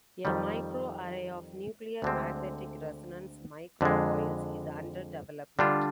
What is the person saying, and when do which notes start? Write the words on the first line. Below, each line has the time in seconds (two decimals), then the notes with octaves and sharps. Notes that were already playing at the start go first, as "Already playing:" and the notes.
A microarray of nuclear magnetic resonance microcoils is under development.
0.25 F2 D#3 G3
2.02 D2 D3 G#3 C4
3.81 F2 D3 G#3
5.59 D3 G3 D4 F4